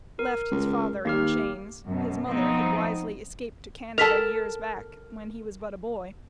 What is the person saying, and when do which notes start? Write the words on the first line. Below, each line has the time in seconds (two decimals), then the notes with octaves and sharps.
Left his father in chains; his mother had wisely escaped to Canada years back, when he was but a boy.
0.19 A#4
0.52 C#2
1.05 D#2 A#3 G4 F6
1.87 F#2 B2
2.27 F3 B3 C4 D#4
3.98 A4 A#4 A5 B6 F7